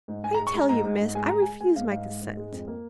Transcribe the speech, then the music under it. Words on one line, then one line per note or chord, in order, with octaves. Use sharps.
I tell you, miss, I refuse my consent.
G#2
G#2 G#5
A#5
G#3
C#6
G#3 A#5
G#2 A#5
G#2
G#2
G#3 G#5
G#3 A#5
G#5
G#3
G#3 G#5
G#2 F5
G#2 F5
G#3
G#2
G#3
F2
A#3